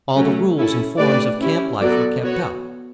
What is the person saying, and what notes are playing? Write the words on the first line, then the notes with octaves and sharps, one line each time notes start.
All the rules and forms of camp-life were kept up.
F#3 A3 C#4
C#4 E4 A4
A3 D4 G4 B4 D5
C#4 E4 G4
F#3 B3 F#4 A4 D5
B3 F#4 C#5